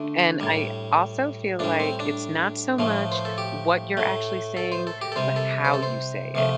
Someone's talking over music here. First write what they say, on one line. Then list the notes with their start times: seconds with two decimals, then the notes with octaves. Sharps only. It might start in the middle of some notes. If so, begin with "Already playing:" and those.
And I also feel like it's not so much what you're actually saying, but how you say it.
Already playing: D3 A3 D4
0.41 A2 G3
1.59 A2 G3 D4
1.80 C4
2.00 D4
2.79 A2 F3 A3
3.12 C5
3.25 A4
3.38 G4
3.97 A2 A3
4.57 A4
4.72 C5
4.87 A4
5.01 G4
5.12 A4
5.16 C3 G3 C5
5.36 A4
5.65 C5
5.74 A4
5.83 C5
6.35 C3 F3 A3